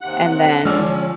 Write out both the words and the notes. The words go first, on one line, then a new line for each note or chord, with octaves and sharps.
And then
D#2 C3 F#5
D3 F3 G#3 C#4 D5 E6 F6